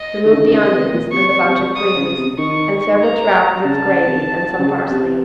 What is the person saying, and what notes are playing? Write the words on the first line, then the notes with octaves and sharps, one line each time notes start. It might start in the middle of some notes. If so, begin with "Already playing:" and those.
Remove the onions and the bunch of greens and serve the trout with its gravy and some parsley.
Already playing: D#5
D#3
C#3
D#3
C#3 D#5
C3
A#2
C3 C#6
C3
D#6
C#3
C3
D#3 C#6
A#5
C#3 A5
C#3
C3
C#3
C3